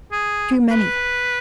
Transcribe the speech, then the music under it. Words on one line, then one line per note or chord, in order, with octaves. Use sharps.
Too many.
G#4
B4